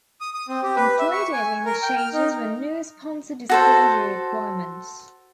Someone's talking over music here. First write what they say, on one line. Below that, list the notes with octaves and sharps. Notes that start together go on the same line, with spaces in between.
Included in the changes were new sponsor disclosure requirements.
D#6
D#6
C4
G4
B4
E5
C#6
G#5
A#4
G5
F6
D#4
F#4 A4 C5